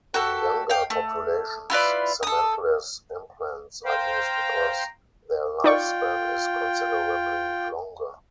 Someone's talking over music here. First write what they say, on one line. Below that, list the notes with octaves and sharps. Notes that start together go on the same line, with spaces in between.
In younger populations, cementless implants are used because their lifespan is considerably longer.
F#4 G4 A4
F5 G5
A3
E4 F4 B4 D5
A4 D#6
C5 F5 G5 A#5
D#4 F4 D5 G5 C#6